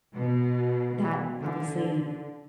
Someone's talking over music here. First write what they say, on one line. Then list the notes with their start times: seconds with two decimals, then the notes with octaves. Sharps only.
that obviously,
0.14 B2
1.37 D3